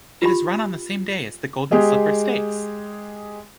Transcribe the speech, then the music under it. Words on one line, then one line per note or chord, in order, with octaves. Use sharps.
It is run on the same day as the Golden Slipper Stakes.
F4 G4 B5
G#3 G4 G#4 D#5